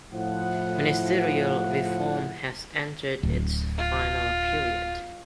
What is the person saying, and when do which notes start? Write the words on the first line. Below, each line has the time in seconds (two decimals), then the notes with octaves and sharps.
Ministerial reform has entered its final period.
0.13 A2 F3 E4 F#5
3.23 D1
3.77 F4